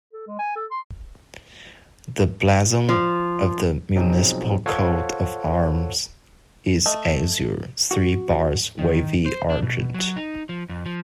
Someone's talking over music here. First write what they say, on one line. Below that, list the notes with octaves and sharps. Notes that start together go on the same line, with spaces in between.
The blazon of the municipal coat of arms is Azure, three Bars wavy Argent.
A4
G#3
G#5
A4
C6
F3
B2 F3 F#3 C4 D#4 G#4
F4 A4 C5 C#5 F5 F#5
A3 D#5
F#4
D#3
C5
D4
B2
F#3
D#4
F3
F2
F3